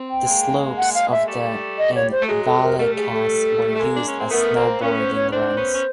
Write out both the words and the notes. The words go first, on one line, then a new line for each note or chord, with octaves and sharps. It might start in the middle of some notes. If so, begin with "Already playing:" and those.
The slopes of the in Vallecas were used as snowboarding runs.
Already playing: C4
G5
G#3 A#3
F#5
F5
E5
G3 A3
D#5
C#5
C5
A3
F#3 G#3 G#4
A4
A#4
G3 A3 A#4
G#4
A4
A3
G#3 A#3
D4
C#4
C4
A3 B3 A#4
A#3 C4
B3 C#4 A#4
C5
C#5
C4 D4 C5
B3 C#4
C#4